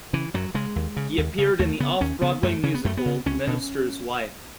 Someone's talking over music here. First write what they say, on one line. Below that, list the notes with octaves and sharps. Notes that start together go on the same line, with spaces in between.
He appeared in the Off-Broadway musical "Minister's Wife".
C#3 E3
F#2 F#3
C#3 G#3
D#2
C#3
D#2
C#3
D#2 A3
C#3 B3
D#2 C#4
C#3 B3
F#2 A3
C#3 C#4
B3
F#2 A3
B3
C#3
C#2 C#4
B2